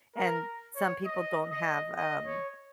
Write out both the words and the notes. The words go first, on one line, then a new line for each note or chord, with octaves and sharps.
and some people don't have, um
A#4
C#5
D#5
D#5
D#5
C#5